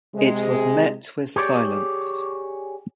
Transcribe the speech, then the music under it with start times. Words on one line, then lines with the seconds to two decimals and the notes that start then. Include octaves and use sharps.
It was met with silence.
0.15 C3 G#3
1.36 G4 G#4 C#5 D5